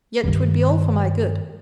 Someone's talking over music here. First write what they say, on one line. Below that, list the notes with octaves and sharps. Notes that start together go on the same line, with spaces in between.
Yet 'twould be all for my good.
G2 D#3